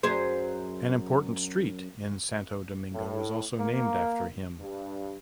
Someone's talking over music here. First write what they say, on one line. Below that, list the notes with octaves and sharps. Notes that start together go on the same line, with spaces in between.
An important street in Santo Domingo is also named after him.
F#2 G#4 C5
A2
A#3
G2